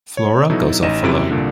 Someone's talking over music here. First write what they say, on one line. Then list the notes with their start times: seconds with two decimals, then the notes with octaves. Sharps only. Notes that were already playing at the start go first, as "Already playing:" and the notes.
Flora goes off alone.
0.17 C#5
0.50 B2 F#3 D#4 E4 F#4 A4
0.82 A1 D#4 D#5 D#7 E7
1.04 F#2 C3 E4 B5 D7
1.31 C2 A#2 D3